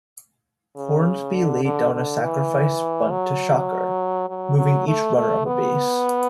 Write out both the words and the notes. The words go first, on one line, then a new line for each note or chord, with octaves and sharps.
Hornsby laid down a sacrifice bunt to Shocker, moving each runner up a base.
C#3
D3
D3
D3
E3
F#3
F#3
F#3
A3
A3
B3